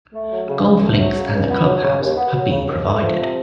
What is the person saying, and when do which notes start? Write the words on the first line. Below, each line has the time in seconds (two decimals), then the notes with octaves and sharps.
Golf links and a clubhouse have been provided.
0.15 A3
0.32 F#3
0.48 C#3
0.65 C#2
0.83 A3
0.99 F#3
1.16 C#3
1.33 C#2
1.50 B3
1.66 F#3
1.84 C#3
2.01 D#2
2.17 B3
2.34 F#3
2.51 C#3
2.68 D#2
2.85 A3
3.01 F3
3.18 C3